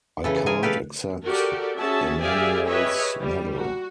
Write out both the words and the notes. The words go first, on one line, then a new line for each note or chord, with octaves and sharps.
I can't accept Emanuel's medal.
C#3 E3 A4
G#4 A#4 G#5
G4 A4 B4 D5 F5
F#4 G4 A4 A#4 D5
C#4 F#4 G#4 E5 A5
G4 G#4 D5 E5 F5 G#5
G4 G#4 B4 C#5 D#5 E5
G3
F#4